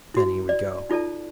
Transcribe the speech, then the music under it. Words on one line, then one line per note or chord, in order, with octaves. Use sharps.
Then he would go.
E4 F#4
D5
D#4 F4 A4 D5 A5